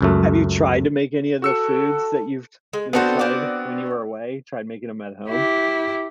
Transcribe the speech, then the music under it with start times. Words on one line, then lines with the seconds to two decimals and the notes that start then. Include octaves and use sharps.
Have you tried to make any of the foods that you've t you know, tried when you were away, tried making 'em at home?
0.01 C#2 F#2 A3
1.42 F#4 A4 E6 C#7
2.73 G#3
2.93 B3 C4 D4 F#4 A4 C5
3.19 C4 D5
5.29 E4 G4